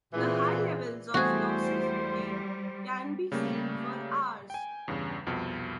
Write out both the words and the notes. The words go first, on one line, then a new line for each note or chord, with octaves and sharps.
The high levels of toxicity can be seen for hours.
A#2 E3 C4 G#4
E2 G3 A3 C4 F#4 G#4 C5
C#3 G3 A3 A#3
G5 G#5
E2 G2 C#3
C2 F2 B2